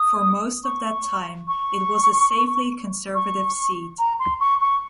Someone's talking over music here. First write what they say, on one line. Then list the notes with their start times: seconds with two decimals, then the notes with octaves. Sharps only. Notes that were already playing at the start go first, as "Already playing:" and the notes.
For most of that time, it was a safely conservative seat.
Already playing: D#6
0.64 C#6
1.47 C#6
3.15 C#6
3.98 A#5
4.19 C6
4.40 C#6
4.61 C#6